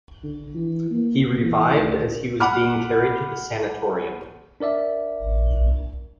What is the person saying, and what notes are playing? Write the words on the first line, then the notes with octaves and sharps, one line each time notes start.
He revived as he was being carried to the sanatorium.
D3
E3
A#3
E3
D2
F#5 B5 D6 F6
D4 A#4 D5 E5